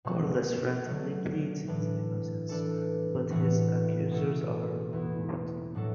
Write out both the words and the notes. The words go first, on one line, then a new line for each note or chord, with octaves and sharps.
Corliss frantically pleads his innocence, but his accusers are unmoved.
B2 A3 F#4
D3 F#3 A3
A2 E3 D4
E3 D4 A4
A2 E3 A3 F#4
B2 A3 F#4 A4
E2 E3 B3 E4
A2 F#3 D4 F#4 A4